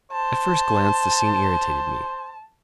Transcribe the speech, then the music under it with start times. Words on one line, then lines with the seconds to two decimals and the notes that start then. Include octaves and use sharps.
At first glance the scene irritated me.
0.12 C5 A5